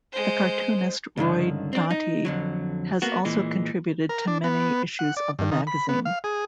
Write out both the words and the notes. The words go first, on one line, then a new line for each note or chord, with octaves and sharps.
The cartoonist Roy Doty has also contributed to many issues of the magazine.
G#3 C5
C#2 G2 D3 D#3
C4 D4
D#4
F2 D3 F#3
A#3 B3 F#4
A#2 E3 G#3
A#4
D4
B3
F#5
D5
G2
D#3
B5
B3
F5
G#4